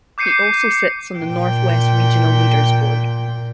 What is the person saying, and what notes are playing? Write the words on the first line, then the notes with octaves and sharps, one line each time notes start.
He also sits on the North West Regional Leaders Board.
D6 G6 C7 C#7 D#7
A#2 G5